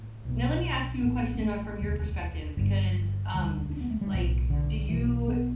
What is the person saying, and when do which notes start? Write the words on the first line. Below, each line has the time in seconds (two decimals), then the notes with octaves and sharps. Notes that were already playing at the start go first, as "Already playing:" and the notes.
Now, let me ask you a question, uh, from your perspective because, um, like, do you eh
Already playing: A2
0.25 B1 B2
1.02 A1 A2 B3
1.35 B3
1.41 A3
1.80 E1 D2 D3
2.57 G1 G2 D3
3.34 E1 D2 D3 G3
3.70 D4
3.81 B3
3.91 A3
4.01 G3
4.12 B1 A2 E3
4.50 D3
4.89 B1 B2 E3
5.28 B3